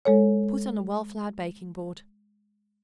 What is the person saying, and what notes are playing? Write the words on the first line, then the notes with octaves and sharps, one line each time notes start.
Put on a well-floured baking-board.
G#3 A4 C#5